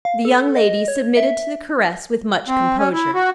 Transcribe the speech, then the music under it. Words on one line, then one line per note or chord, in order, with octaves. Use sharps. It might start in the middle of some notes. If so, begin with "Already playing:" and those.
The young lady submitted to the caress with much composure.
F5
A4
D#5
C#5
E5
C4
C#4
E4
F#4